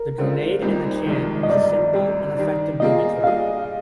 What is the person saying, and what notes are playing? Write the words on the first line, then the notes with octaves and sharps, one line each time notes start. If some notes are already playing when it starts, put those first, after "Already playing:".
The "Grenade in a Can" was a simple and effective booby trap.
Already playing: A#4
D3 G#3 C4 F4
C2 A#2 G3 C4 D#4
A#1 G#2 D#3
D#5
G1 G2 D#3 D5
C2 C3 G3
D#3 G3 D4
A#2 G3 A#3 F4 G#4 D#5
A#2 G3 D4 G#4 D#5 F5